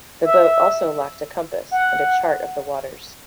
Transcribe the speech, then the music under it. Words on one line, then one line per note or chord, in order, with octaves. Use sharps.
The boat also lacked a compass and a chart of the waters.
E5
F#5